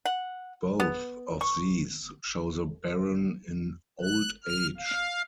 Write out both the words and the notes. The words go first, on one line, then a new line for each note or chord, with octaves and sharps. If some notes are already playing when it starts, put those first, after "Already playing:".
Both of these show the baron in old age.
F#5
B3
C#6
F#6
F6
F5